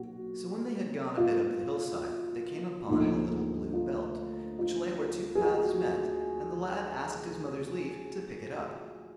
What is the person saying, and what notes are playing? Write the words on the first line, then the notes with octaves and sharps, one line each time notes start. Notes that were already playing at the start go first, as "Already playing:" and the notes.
So when they had gone a bit up the hill-side, they came upon a little blue belt, which lay where two paths met, and the lad asked his mother's leave to pick it up.
Already playing: B1 A#2 F#3 A#3 F#4
F4
D2 D3 F3 A#3 D#4
F4
F4
G#4
F#4